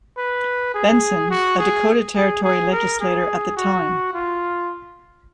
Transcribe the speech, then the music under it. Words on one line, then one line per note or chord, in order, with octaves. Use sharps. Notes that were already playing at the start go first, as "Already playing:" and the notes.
Benson, a Dakota Territory legislator at the time.
B4
G#4
F#4
G#4
G#4
G#4
A#4
G#4
F#4
F4